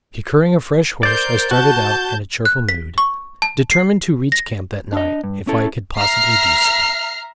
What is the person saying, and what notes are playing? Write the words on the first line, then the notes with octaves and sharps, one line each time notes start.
Procuring a fresh horse, I started out in a cheerful mood, determined to reach camp that night if I could possibly do so.
A#4 C5 D5 G6
F#4 A5 G6
F#6
B6
C#6
A5
C7
A#6
D4 D#5
G2
C#4 E4 A4
E5 A#5 F6 C7